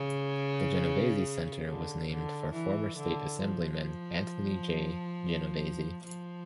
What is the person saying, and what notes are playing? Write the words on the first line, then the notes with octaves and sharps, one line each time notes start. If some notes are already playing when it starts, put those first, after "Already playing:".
The Genovesi Center was named for former state Assemblyman Anthony J. Genovesi.
Already playing: C#3
D3
D3
E3
D3
F3
F3